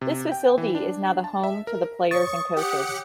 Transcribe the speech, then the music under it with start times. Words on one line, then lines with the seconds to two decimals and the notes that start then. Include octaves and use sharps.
This facility is now the home to the players and coaches.
0.01 C3
0.32 G5
0.58 E3
0.75 D4
1.24 A5
1.44 E5
1.67 A#4
2.11 C#5 C#6 D#6 A6
2.56 G4 F#5 C#7